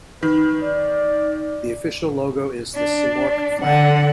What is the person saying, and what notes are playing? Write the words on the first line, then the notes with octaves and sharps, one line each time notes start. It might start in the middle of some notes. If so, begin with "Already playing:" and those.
The official logo is the Simorq flag.
D#3 B4
D5
D4
D3 F#5